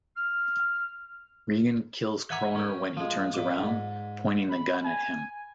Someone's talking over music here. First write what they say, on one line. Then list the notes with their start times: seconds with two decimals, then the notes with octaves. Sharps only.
Regan kills Kroner when he turns around, pointing the gun at him.
0.16 F6
2.30 E5 F#5 G#5 A#5 B5
2.56 C#4 A#4 G5
2.97 F3 G#3
3.34 A#2 D6
3.60 G#2
4.50 B5
4.84 G#5